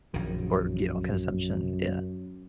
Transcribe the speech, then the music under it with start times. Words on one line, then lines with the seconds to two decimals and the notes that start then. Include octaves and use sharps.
or, you know, consumption, yeah.
0.14 A#1 F#2 D#3